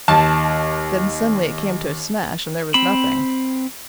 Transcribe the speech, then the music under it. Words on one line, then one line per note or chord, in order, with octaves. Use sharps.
Then suddenly it came to smash, and there was nothing.
D#2 A5
C4 B5